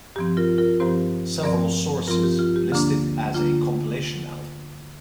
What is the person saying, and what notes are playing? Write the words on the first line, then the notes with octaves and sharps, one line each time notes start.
Several sources list it as a compilation album.
G2 F3 C4 G4
F4 A#4
F4 A#4
G2 F3 C4 G4 C5
G2 F3 C4 A#4 D5
G2 F3 C4 F4 A#4
G4
F4
G4
D2 D3 A#3 D4
D3 A#3 D4 F4